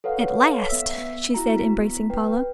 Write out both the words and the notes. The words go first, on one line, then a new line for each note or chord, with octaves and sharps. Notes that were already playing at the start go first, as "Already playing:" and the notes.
"At last," she said, embracing Paula.
A4 B4 C#5 F5 F#5
B3 E5 E6 B6
E4 F#4 A#5
B3 B6
B4 G5